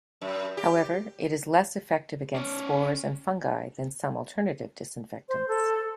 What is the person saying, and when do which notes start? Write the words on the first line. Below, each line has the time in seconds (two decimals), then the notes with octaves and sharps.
However, it is less effective against spores and fungi than some alternative disinfectants.
0.21 F#2
0.57 G4
2.34 C#4 D5
5.29 C5
5.48 A4